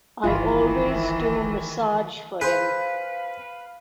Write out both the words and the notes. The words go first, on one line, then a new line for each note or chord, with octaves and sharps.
I always do massage for him.
D1 G1 D#3 E3 E4 F4
G#4 B4 C5 F5